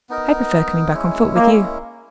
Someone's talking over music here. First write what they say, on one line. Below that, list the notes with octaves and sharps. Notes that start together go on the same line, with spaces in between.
"I prefer coming back on foot with you."
B3 D#4 A#4 D#5
G#3 C#4 E4
A#3